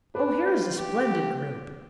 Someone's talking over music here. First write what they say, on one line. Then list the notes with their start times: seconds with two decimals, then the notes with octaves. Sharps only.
Oh, here is a splendid group!
0.15 D4 B4
0.46 F4
0.78 G4